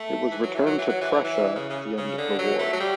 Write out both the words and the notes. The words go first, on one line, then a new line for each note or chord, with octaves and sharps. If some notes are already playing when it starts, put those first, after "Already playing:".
It was returned to Prussia at the end of the war.
Already playing: A3
E3
F#3
E3
F#3
E3
F#3
E3
F#3
E3
C#3
C#3
C#3
D3
F#3
A3
F#3
G3